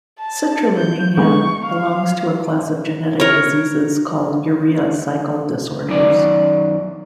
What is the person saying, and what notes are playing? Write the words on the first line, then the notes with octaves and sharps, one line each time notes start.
Citrullinemia belongs to a class of genetic diseases called urea cycle disorders.
A5
G6
D3 G#3 B3 C#6
F5
A#4 C#5
F#2 D#3 D5